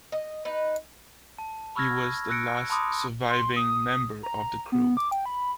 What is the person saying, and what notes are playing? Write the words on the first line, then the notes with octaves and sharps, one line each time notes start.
He was the last surviving member of the crew.
D#5
D#4 B4
A5
B5 C#6 E6 F6 G#6 A#6
E6 F#6 A#6 C#7 D7
A5 B5 C6 D6 D#6
C6
D#6
A#5
B3
D6
G5
B5